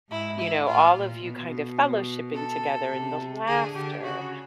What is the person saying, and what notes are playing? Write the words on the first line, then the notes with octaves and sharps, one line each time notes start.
you know, all of you kind of fellowshipping together, and the laughter
G#2 E4
E4
A2 F4
A#2
B2
A4
C3
D3 G#4
D3 G4
C#3 F#4